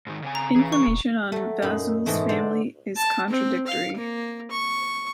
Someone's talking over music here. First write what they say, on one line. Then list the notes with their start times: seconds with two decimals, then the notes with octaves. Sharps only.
Information on Vazul's family is contradictory.
0.07 G#2 D#3
0.22 C#3 C4 G#5
0.35 A#5
0.56 E3 C#4 G#4
0.72 C#6
0.88 E1
1.32 F#3 A3
1.62 F#2 A#2 D#4 B5
2.06 G#2 B2 E3 G#3 A3
2.29 D3 C5 D5
2.97 A5
3.30 C4
3.67 F5
3.97 A#3
4.51 C#6